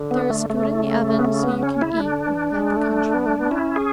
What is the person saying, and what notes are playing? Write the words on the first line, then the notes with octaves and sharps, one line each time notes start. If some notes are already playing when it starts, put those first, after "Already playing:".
'There is food in the oven, so you can eat,' replied the countryman.
Already playing: D3
B3
A3
C#3 A3
B3
A3
B3
C#4
E4
C#3
D3 D4
E3
G#3
A3
B3
A3
B3
C#4 E4
G#4